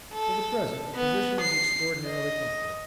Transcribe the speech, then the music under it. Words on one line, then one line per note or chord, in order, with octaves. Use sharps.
For the present the position is extraordinarily comfortable.
A4
B3
C7
D#5